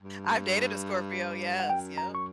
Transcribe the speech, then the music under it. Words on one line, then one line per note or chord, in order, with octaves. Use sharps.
I've dated a Scorpio, yes, yep.
G2
F#5
F#2 G5
A#5
C#6